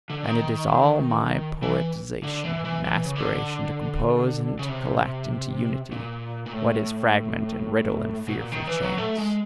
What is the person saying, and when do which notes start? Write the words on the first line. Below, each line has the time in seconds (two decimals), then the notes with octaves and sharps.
And it is all my poetisation and aspiration to compose and collect into unity what is fragment and riddle and fearful chance.
0.10 D3
0.24 D#3
1.63 E3
2.23 D3
2.44 E3
2.65 E3
2.84 E3
3.05 C#3
3.16 D3
4.59 C#3
4.68 C3
5.92 A#2
6.46 A#2
6.53 A2
8.28 B2
8.37 A#2
8.52 D#3
8.67 E3
8.83 F#3
8.98 A3
9.18 G#3